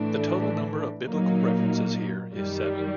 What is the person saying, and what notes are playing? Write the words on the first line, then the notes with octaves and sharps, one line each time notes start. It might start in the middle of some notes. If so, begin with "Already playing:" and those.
The total number of biblical references here is seven.
Already playing: A2 E3 A3 D4
A#2 F#3 A#3 D#4
F#2 D#3 G3